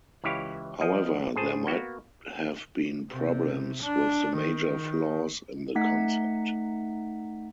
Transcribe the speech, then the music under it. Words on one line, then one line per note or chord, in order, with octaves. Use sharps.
However, there might have been problems with the major flaws in the concept.
C#2 E3 E4 G4 C#5 F5
F3 D#5
A2 G#4 C5 A5
A#3 B3 F#4
C3
D4
D#3
A3 D#4 F#5 B6